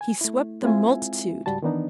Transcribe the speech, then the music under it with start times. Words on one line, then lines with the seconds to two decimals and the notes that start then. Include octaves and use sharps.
He swept the multitude.
0.01 G#5
0.21 A3 E4
0.63 G#3 C4 E4 F4 E5 G#5
1.46 C#2 G#2 G3 F#4 A5
1.62 D#3 E3 B3 D4 D#4